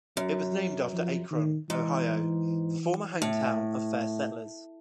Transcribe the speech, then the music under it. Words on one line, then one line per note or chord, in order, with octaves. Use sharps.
It was named after Akron, Ohio, the former hometown of first settlers.
F#2 F#3
F3
D#3
G#2 E3
A2